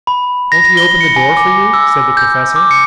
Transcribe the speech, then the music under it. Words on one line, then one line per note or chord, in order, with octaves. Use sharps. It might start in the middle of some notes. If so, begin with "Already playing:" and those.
"Won't he open the door for you?" said the Professor.
B5
A#6
G7
C#7
G#5
D6
E6
G6
D6
C#7